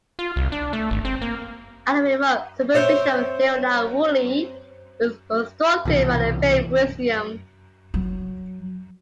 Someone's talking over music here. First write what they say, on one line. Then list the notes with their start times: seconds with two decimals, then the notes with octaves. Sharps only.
Under the remote supervision of Leonard Woolley, it was reconstructed by the Penn Museum.
0.19 F4
0.36 C2
0.52 D4
0.73 A3
0.91 G#1
1.05 C4
1.22 A#3
2.74 C4 C5 C#5 E5
5.85 C2 B2 E3
7.94 F#3